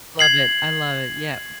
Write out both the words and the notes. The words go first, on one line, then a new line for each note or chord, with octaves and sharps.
Love it. I love it. Yeah.
G#6 C7 F#7